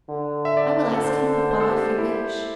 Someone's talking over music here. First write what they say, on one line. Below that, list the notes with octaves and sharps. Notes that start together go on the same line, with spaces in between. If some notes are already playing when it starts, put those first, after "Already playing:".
"I will ask him, papa, if you wish."
D3
E5
D5
A4
C5
C5
A4
G4
A4
E4